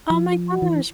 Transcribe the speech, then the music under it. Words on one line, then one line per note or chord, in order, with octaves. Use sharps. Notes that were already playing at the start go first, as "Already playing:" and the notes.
Oh my gosh.
F3
E3